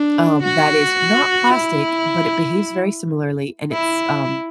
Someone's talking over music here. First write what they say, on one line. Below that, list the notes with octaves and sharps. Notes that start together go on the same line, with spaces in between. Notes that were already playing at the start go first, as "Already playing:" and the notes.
um, that is not plastic, but it behaves very similarly, and it's, um,
Already playing: D4
F#4
E4
E4